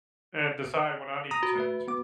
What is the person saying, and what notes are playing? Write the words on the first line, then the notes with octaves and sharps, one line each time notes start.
and decide when I need to change.
A#5 D#6
F#4
A3 B4 E5
B3 D6